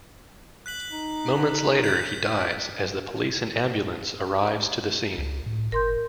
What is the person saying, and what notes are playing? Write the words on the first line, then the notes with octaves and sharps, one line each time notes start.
Moments later he dies as the police and ambulance arrives to the scene.
F#6 B6 F#7
D#4
F#6 G6 B6
C#2
A2
G1 A#4 C6 G6